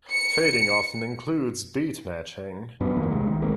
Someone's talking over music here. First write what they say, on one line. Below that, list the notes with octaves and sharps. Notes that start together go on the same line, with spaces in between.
Fading often includes beatmatching.
C#7
F#2 B3 D4
F2 D#3 A#3
C2 C3 G#3
D#3
G#1 G#3 A#3 C4